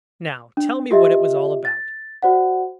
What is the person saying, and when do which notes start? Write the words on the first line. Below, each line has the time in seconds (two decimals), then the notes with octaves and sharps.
"Now tell me what it was all about."
0.57 D4
0.91 F4 G4 D#5 E5
1.65 A6
2.23 F#4 C5 D5 F#5